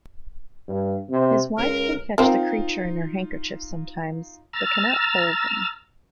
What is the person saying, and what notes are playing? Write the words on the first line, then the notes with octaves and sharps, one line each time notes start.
His wife can catch the creature in her handkerchief sometimes, but cannot hold him.
G2
C3
C#2 A#4
C4 D#4 F4 A#4
A#5 E6 F6 A6